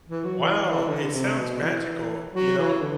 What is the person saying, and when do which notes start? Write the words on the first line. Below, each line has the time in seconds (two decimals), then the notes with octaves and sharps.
Wow, it sounds magical, you know,
0.09 E3
0.24 F#3
0.40 E3
0.64 E3
0.89 D3
1.14 C3
1.37 B2
1.61 E3
2.34 F#3
2.58 E3
2.82 D3